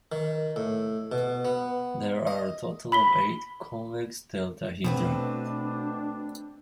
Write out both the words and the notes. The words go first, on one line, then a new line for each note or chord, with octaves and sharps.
There are a total of eight convex deltahedra.
D#3
A2
B2
B3
D#5
B5 B6 G7
B2 A3 C4 D4 B4